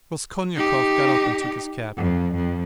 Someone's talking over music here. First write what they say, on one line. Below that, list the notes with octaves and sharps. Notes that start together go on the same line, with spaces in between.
Raskolnikov got up and took his cap.
D#4 G4
F2
F2